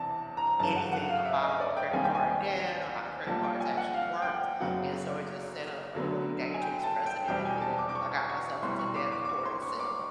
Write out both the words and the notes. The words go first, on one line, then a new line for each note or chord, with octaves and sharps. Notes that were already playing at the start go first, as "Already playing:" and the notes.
anything about credit card debt or how the credit cards actually worked and so it just set up a really dangerous precedent and I got myself into debt of course, and
Already playing: E2 C3 E3 A5
A#5
G1 F#2 C#3 A5
F#5
F#5
F5
E5
D#5
D5
G5
D#2 D#3 G3 C4 G#5
G5
G#5
A#1 A#2 G3 A5
G5
G#5
F#5
F5
G5
F#5
F#1 F#2 C#3 F#3 B3 F#5
D2 D3 F#3 B3
G#5
G5
A5
G5
E2 B2 G3 G5
G#5
A5
D6
D6
C#6
C#6
C2 B2 G3 C6
C#6
D6
D6
D6
C#6
C6
C#6
D6